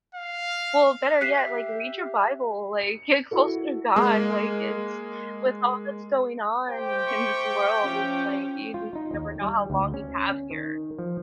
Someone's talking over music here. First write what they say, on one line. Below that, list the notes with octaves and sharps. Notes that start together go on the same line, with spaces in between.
well, better yet, like read your Bible, like, get closer to God. Like it's with all that's going on in this world, it's like you never know how long you have here.
F5
G4 E5 F#6 B6 C7
C#7
E4 F#4 A4
G#3 A#3
A3 G4 C5 G5
C#6
F3 C#4
F4
D#4
D#2
G3
D2
C#4
D#3
F3